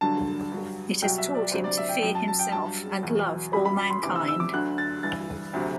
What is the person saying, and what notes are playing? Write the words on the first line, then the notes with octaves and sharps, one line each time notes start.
It has taught him to fear himself and love all mankind.
G2 D3 F#3 A5
G2 F#3
C2 B2 F#3 G5
E5
D5
D2 C3 F#3 C5
D5
E5
G5
F#2 F#3 G5
A5
A5
G5
G2 F#3 A5
E2 B2 F#3
F#2 F#3 B5
B5
B5
C6
D2 C3 E3 D6
E6
E6
D6
D2 D3 F#3 F#6
A6
G2 E3 A6
D2 C3 F#3